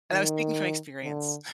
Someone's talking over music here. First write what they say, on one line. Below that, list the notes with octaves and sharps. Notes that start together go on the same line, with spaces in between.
and I was speaking from experience.
D#3
D3